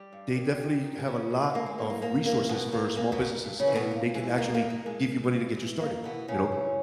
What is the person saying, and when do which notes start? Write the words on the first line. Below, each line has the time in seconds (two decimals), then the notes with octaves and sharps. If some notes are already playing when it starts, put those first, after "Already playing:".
they definitely have a lot of resources for small businesses and they can actually give you money to get you started, you know?
Already playing: G3 G4
0.13 G2
0.36 D#3
0.59 E2
0.84 D#3
1.07 E2 C#3 C#4
1.30 D#3
1.54 G#2 A#3
1.66 G#3
1.78 E3 A#3
1.90 A#3
2.01 G#2 A#3
2.25 E3 A#3
2.49 G#2 B2 B3
2.72 D#3 A#3
2.96 G#2 A#3
3.12 B2 B3
3.20 D#3
3.44 G2
3.60 C#3 C#4
3.67 E3
3.75 B2 B3
3.91 G2 A#3
4.15 E3 G#3
4.38 G2 A#3
4.54 A#3
4.62 D#3
4.70 A#3
4.86 G2 G#3
5.10 D#3
5.33 G2
5.57 E3
5.80 G2 A#3
6.04 B2 E3 B3
6.28 G#2 C#3 C#4
6.52 E3